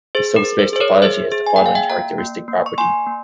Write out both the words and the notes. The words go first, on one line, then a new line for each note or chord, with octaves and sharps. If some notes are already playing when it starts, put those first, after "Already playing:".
The subspace topology has the following characteristic property.
G#4 C5
A#4
G#4
C5
G#4 C5
A#4 C#5
G#4 C5 E5
G#4
G#5
A#3 G5
F5
E5 G5
A#3 G5 A#5
A#3
A#3
C#6
A#3 G#5 C6
A#3